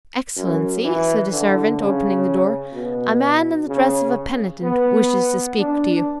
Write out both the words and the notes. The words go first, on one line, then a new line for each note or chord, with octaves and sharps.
"Excellency," said a servant, opening the door, "a man in the dress of a penitent wishes to speak to you."
F#2
E3
D3
C#3
B2
C#3
B3
D4